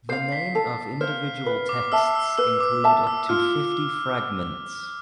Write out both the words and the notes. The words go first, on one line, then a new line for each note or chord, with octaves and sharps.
The name of individual texts include up to fifty fragments.
C5 F5 C7
B6
A4
C5 F5 F6
B4
D6
E5 A5 E6
E6
B4 E6
D6
E5 A5
E6
F4 F6